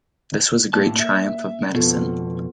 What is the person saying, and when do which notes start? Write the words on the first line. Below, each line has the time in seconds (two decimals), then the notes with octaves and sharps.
This was a great triumph of medicine.
0.73 A2 A#3 A5
1.00 A#3 E5
1.75 F2 B2 B3 F4 A4